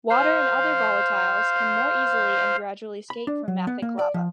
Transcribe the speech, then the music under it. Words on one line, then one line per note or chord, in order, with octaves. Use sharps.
Water and other volatiles can more easily and gradually escape from mafic lava.
C5 F5
B5
D4
F#3
B3
A#3
D5
F3